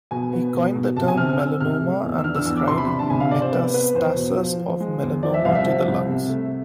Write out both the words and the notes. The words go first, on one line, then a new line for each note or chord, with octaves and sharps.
He coined the term melanoma and described metastases of melanoma to the lungs.
B2 G#5
B3
B2
B2
C3 A5
G#5
C4 F6
F6
C4 E6
C3 F6
A3
E2
E6
D4 F6
E6
E2 E6
D6
C3 C6
B5
D4 B5
A5
C3 G#5
F5
C3 D5
C5
B3 B4
B3 B4
E2 C5
B2
F3
F3
G#3
E2
F3 D5
E5
C2 F5
E5
F3
C2
C3
A3